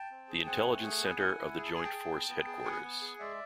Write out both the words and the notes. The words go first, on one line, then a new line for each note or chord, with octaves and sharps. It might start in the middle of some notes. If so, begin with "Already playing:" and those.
The intelligence center of the joint force headquarters.
Already playing: G5 A5
C4
G#4
C4 F#5 G#5
A3
G#4
B3
E4
E4
G#4
A5
G#4 G#5
G5 A5
G#4
B3
B3
G#4
B3 F#5 G#5
B3
G#4
G#3 D5 E5